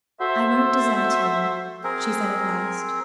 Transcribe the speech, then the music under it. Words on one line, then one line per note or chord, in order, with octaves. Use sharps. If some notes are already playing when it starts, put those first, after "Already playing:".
"I won't desert you," she said at last.
F#4 A4 C5 E5
C4 G#4 A#4